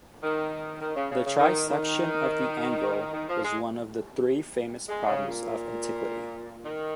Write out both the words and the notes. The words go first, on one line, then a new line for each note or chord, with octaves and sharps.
The trisection of the angle was one of the three famous problems of antiquity.
D#3
D#3
C#3
C#3
C#3
D#3
D#3
D#3
F3
G#3
G#3
C#3
A#2
D#3